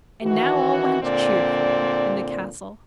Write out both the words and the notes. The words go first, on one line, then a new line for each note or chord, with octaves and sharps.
And now all went cheerfully in the castle.
D#3 E3 F#4
A#2 D3 C4 D5